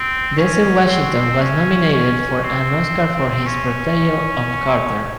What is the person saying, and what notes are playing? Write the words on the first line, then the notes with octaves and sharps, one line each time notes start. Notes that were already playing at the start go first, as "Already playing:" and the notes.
Denzel Washington was nominated for an Oscar for his portrayal of Carter.
Already playing: C4
C#4
C4
C#4
C#4
C4
C#4